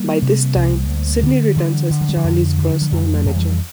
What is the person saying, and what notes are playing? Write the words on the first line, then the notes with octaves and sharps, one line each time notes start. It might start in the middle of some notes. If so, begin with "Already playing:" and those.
By this time, Sydney returns as Charlie's personal manager.
Already playing: G3 A#3
C3
C2
D2
D3
D3 E3 G3
D3
F3
G3
D3 F3
F2
D3
F3
F2 E3 G3
F3 A3
F2
E3 G3